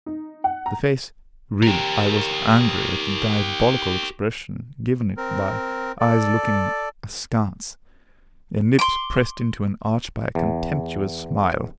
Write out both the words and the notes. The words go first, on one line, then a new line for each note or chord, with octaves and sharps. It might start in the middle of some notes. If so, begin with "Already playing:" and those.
The face--really, I was angry at the diabolical expression given it by eyes looking askance, and lips pressed into an arch by a contemptuous smile.
D#4
F#5
A#5
G4 A#4
C4 A#4
A4 D5
C6 D6
E2